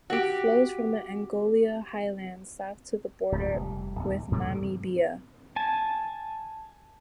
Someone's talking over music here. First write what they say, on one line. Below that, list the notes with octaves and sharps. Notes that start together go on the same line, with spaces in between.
It flows from the Angola highlands south to the border with Namibia.
F#4 G4
D1 C#2
F1 G3
A#1 D#2
G2 C3 E3 A3
G#5 A5